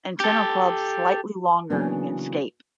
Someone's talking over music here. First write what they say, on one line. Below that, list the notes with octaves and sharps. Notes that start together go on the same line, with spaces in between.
Antennal club slightly longer than scape.
G4 A4
C#3 E3 F#3 A#3 B3 D4